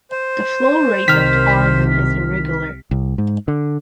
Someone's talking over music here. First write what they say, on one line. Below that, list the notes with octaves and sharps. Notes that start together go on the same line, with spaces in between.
The flow rate of the Arno is irregular.
C5
C2 C3 D#3 F6 B6
C2
G#2
D3